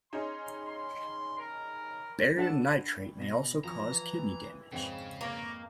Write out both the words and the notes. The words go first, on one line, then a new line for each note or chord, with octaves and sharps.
Barium nitrate may also cause kidney damage.
C#4 D#4 G#4 C6
C6
A#4
D4 A4 F#5 A5
B2 A#6
E3 F3 A#5 C#6
F2 G#2 C#3 C5
A#3 A#5 C#6 D6